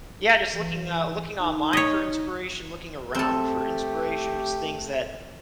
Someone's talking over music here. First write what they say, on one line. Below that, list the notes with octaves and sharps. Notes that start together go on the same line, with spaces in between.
Yeah, just looking, uh, looking online for inspiration, looking around for inspiration, just things that
E3
D#4
C#5 D#5
A3 C4 G4 A4